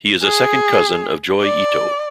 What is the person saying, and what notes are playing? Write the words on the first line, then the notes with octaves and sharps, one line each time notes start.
He is a second cousin of Joi Ito.
G#4
D5